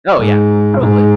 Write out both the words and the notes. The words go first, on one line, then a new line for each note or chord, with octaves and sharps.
Oh, yeah. Totally.
G#2
G#2